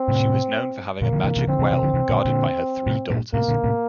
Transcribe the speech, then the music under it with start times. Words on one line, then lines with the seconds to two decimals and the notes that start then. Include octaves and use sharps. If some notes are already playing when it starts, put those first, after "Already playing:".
She was known for having a magic well, guarded by her three daughters.
Already playing: C4
0.08 A2 C3
1.02 A#2 D3 A#3
1.13 D3 F3
1.24 C3 E3
1.37 C3 E3
1.47 D3 F3 C4
1.59 C3 E3
1.71 C3 E3
1.83 D3 F3
1.94 C3 E3
2.09 A#2 D3
2.25 A#2 D3
2.87 A2 C3
3.10 G2 A#2
3.34 A2 C3 A#3
3.49 A#2 D3
3.64 A2 C3